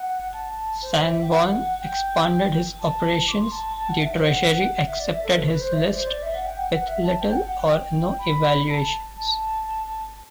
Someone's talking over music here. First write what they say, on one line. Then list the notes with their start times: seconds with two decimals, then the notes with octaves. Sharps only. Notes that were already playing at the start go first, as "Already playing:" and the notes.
Sanborn expanded his operations, the Treasury accepted his list with little or no evaluations.
Already playing: F#5
0.33 A5
0.82 C5
1.07 E5
1.23 G5
1.31 F#5
1.81 G5
2.79 A5
3.27 D6
3.32 C6
3.52 A5
3.77 A5
3.89 F#5
4.01 E5
4.14 C5
4.26 F#5
4.50 F#5
4.75 F#5
4.87 E5
5.00 D5
5.11 E5
5.24 A4
5.36 B4
5.49 B4
5.61 C5
5.73 E5
5.84 D5
5.95 C5
6.07 D5
6.22 E5
6.35 F#5
6.46 G5
6.58 F#5
6.71 F#5
6.88 E5
7.04 A5
7.20 G5
7.32 F#5
7.45 F#5
7.57 G5
8.18 B5
8.67 B5
8.71 A5
9.16 A5